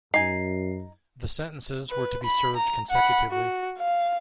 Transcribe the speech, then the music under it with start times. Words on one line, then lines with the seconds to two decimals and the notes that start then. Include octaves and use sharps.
The sentences were to be served consecutively.
0.14 F#2 D#4 G#5 C7
1.90 B4
2.24 B5
2.57 A#5
2.91 F#5 B5
3.31 F#4
3.79 F5